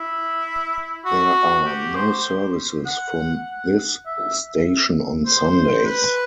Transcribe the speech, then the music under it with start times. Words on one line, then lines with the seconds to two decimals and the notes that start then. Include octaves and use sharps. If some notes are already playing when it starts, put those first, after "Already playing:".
There are no services from this station on Sundays.
Already playing: E4
1.05 F#4
1.66 G4
1.95 C5
2.86 F#5
4.06 E5
5.26 C5
5.85 B4